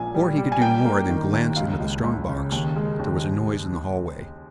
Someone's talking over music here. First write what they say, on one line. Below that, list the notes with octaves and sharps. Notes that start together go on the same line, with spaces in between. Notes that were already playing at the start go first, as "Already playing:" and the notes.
But before he could do more than glance into the strong box, there was a noise in the hallway.
Already playing: A#1 A#2 G#5
G3
G3
G#5
A#3 G5
A#3
D#3
D#2
C#2 F5
C#2
C#2
C#3
D#2
G#3
D#2